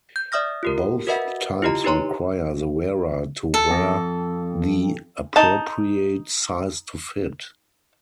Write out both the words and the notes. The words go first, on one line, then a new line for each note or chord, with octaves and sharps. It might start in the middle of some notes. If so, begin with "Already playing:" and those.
Both types require the wearer to wear the appropriate size to fit.
G6
D5 E5 D#6 F6 A#6
F4 G4 A#4
F#4 A#4 B4 D#5 E5 F#5
E4 F4 G4 D#5 A#5
D#4 G4 B4 C#5 A#5 C6
A4
F2
D#4 A5